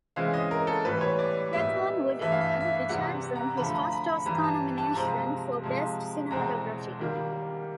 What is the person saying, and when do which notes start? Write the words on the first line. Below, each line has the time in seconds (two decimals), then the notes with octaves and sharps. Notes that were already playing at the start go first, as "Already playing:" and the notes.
"Platoon" would earn Richardson his first Oscar nomination for Best Cinematography.
0.16 C#3 E3 G#3 C4 E4 F5
0.34 D#5
0.51 A#4
0.67 A4
0.85 A2 E3 G3 B3 B4
1.01 C#5
1.19 D5
1.53 A#2 G3 B3 D#4 E5
2.21 G2 E3 A3 E5
2.32 F5
2.41 E5
2.52 F5
2.61 E5
2.89 E2 C3 E3 G3 F#5
3.36 A#5
3.57 D3 F3 A3 B5
3.75 A#5
3.93 B5
4.09 B5
4.26 G2 E3 G3 A#5
4.44 A5
4.78 A5
4.94 C3 F3 G#3 C4 A#5
5.63 C3 F3 G#3
6.31 E2 B2 G#3 C4 A#5
7.00 D#3 G3 A#3